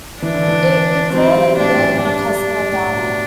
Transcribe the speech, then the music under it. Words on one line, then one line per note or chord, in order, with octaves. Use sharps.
It recorded billing and customer data.
E3 D4
D3
E3
F#3 C4
G3
A2 D4
A2
G2
F#2
G2 D4
G2
G2
A2
B2